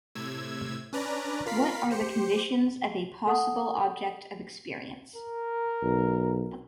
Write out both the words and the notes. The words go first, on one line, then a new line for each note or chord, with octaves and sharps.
What are the conditions of a possible object of experience?
A2 C3 E6 G#6
C#4 D4 B4 D5 A#5
F4 A#4 F5 B5 B6 C7
G4 C5 C#7
A4 F#5 A5 D#6
A#4
B1